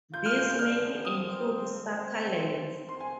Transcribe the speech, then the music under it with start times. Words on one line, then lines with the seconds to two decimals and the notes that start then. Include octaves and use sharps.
These mainly include succulents.
0.13 F4 G6
0.26 F6
0.38 G6
0.50 G6
0.59 D4 F6
1.05 C4 D#6
1.97 C4
2.89 C6
3.00 G#5